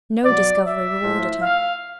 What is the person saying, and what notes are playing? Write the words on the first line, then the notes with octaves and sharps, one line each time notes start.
No discovery rewarded her.
B2 F#3 D5
E5
A2 F3
F5